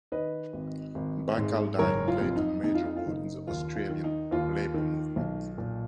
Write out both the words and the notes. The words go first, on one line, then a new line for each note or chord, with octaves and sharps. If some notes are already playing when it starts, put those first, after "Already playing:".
Barcaldine played a major role in the Australian labour movement.
D#3 B4 D#5
G#1
G#1
G#2
F#1 A#4 C#5
F4
F2
D#4
F2 D#4
F4
D#4
F4
F#1 D#4
D#2 F4
F4
D#3
D#4
D#2 F4
D#3
B1
A#2